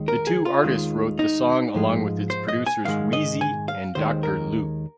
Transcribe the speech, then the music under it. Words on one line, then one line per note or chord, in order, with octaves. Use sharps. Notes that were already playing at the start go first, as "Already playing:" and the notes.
The two artists wrote the song along with its producers Wheezy and Doctor Luke.
Already playing: D#2 D#3 G#3
A#4
G#4
F4
D#2 D#3 G#3
D#4
G#2 F3 G#3
C5
D#5
G#5
G#2 D#3 G#3 F5
D#5
G#5
F5
D#2 D#3 G#3 C5
A#4